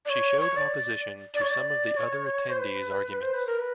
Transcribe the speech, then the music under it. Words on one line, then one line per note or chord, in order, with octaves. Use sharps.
She showed opposition to some of the other attendees' arguments.
D5
C#5
C#5
D5
D5
C#5
D5
C#5
C5
B4
C5
B4
A#4
B4